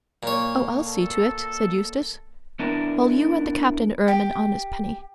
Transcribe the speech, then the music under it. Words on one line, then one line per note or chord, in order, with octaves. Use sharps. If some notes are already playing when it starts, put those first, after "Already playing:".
"Oh, I'll see to it," said Eustace, "while you and the Captain earn an honest penny."
A#2 C#5
A4
B3 D4 E4 A#4
G4